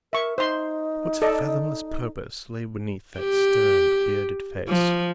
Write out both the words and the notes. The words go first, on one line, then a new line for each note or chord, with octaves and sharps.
What fathomless purpose lay beneath that stern, bearded face?
A#4 E5 C#6
D#4 C5 C6
A4 D5 D#5
G4
F3